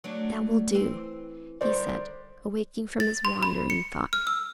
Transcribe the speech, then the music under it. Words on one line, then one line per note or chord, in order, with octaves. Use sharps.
'That will do,' he said, awaking from his wandering thought.
F#3 A3 D4
E3 C4
D3 D#3 G3 C5 D5
A6
C6
B5
C#7
F6
E6